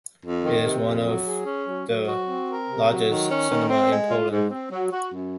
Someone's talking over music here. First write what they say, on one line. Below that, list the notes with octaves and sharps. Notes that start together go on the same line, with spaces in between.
It is one of the largest cinemas in Poland.
F2
D#3
C3
F2
F#3
G#4
C#4
F#3
F#3
F#4
C4
A#4
C3
F#3
D#3
C#4
D#3
C4
G#3
F4
G#2
C4
F#3
F#4
F#2